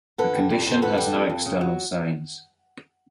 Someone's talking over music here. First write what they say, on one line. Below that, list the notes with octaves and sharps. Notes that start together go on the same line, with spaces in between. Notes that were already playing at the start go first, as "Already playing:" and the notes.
The condition has no external signs.
D3 A4 B4
G3
F2
F2
C5
D3 A4 B4
G3
F2
F2
C#3
F#3